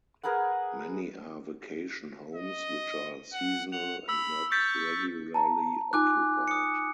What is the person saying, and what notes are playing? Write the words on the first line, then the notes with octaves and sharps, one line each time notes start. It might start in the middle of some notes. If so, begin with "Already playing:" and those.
Many are vacation homes which are seasonal and not regularly occupied.
G#4 A#4 B4 F#5
D#5
F#5
F#5 F7
B5 E6
C#6 G6 A6 B6
A5 A#5
D#4 F4 G#5 D6 F#6
D#6 C#7